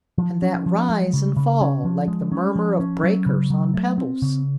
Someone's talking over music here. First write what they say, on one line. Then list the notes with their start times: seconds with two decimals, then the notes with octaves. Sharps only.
And that rise and fall, like the murmur of breakers on pebbles?
0.18 F3
0.42 C#4
0.66 F3
0.89 G#3
1.13 C#3
1.37 C#3
1.61 C#4
1.85 F3
2.08 G#3
2.32 C#4
2.56 F3
2.80 C#4
3.04 F#3
3.26 C#3
3.50 F#3
3.74 A3
3.98 C4
4.22 C#3